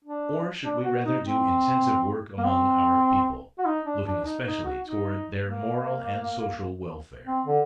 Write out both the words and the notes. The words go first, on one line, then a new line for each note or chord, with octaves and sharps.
Or should we rather do intensive work among our people, looking especially toward their moral and social welfare?
D4
D4
F#4
D#4
C4
A#3
C4
F#4
D#4
D4
D4
D#4
D#4
F#4
D#4
A#3
C4
D3